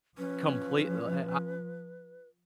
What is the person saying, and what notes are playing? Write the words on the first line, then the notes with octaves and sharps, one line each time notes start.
complete li l I
F3 C#4 B4